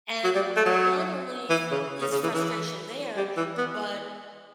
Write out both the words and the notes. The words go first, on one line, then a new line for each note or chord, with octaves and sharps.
And not only f is frustration there, but
F#3
G3
A3
F#3
E3
C#3
C#3
C#3
E3
E3
G3
E3
B3